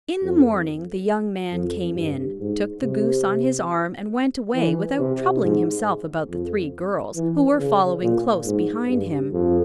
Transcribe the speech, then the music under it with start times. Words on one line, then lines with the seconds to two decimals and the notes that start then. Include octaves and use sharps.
In the morning the young man came in, took the goose on his arm, and went away without troubling himself about the three girls, who were following close behind him.
0.22 F2
1.53 F2
1.95 G2
2.39 G#2
2.83 C3
4.56 E3
4.99 C3
5.42 G#2
6.29 F2
7.16 E3
7.59 C#3
8.02 A#2
8.45 G#2
8.89 G2
9.32 F2